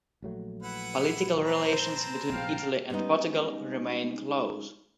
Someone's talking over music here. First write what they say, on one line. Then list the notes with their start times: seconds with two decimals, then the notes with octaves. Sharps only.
Political relations between Italy and Portugal remain close.
0.22 A#1 F#3 A3
0.62 E4 B4 F#5
1.44 C4 B4 C5 A5 A#5
2.32 A#1 C3 F5 G5
2.90 G3 G#3 B3 C#4 D#4